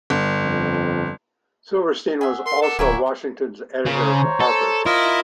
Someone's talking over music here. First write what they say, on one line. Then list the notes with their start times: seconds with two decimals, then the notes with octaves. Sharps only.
Silverstein was also Washington editor for "Harper's".
0.10 G1
0.42 F2
2.21 G#4 E5 F#5
2.46 A#4 C6
2.62 A4 F#5 D6
2.79 D1 E4 F4 A#4 C#5 G#5
3.86 C#3 C5 C#5 A#5
4.40 A4
4.86 E4 F4 A#4 D#5